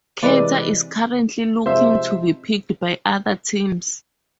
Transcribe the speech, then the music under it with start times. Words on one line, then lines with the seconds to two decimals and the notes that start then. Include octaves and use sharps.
Carter is currently looking to be picked by other teams.
0.23 C3 E3 G#3 B4 D5
1.66 C3 F3 G#3 C5 E5